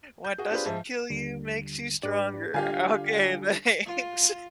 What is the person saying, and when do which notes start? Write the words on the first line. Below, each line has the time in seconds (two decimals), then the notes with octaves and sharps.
What doesn't kill you makes you stronger. Okay, thanks.
0.24 G6
0.38 F#4 G#4
0.51 D4 F4 G4 G#4 B4 C5
0.66 G#2 F3 E5 A5
1.10 D#2 D3 G3
2.03 G#2 D4 G4 B4 D5
2.54 D3 G3 D4 F4 G4 F5 G#5
3.86 F4